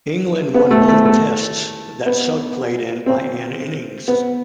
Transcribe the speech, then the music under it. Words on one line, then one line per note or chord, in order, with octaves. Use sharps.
England won both Tests that Sugg played in by an innings.
B3
A3
A3
A3
B3
C4
B3